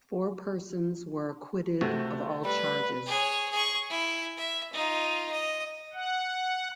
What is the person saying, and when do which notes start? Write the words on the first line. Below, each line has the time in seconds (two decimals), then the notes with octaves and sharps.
Four persons were acquitted of all charges.
1.81 C#2 C3 A3 F#4
2.45 G3 B4
3.06 G#4 C#5
3.51 G#4 C#6
3.90 E4
4.37 E5
4.73 D#4 F4
5.31 D#5
5.93 F#5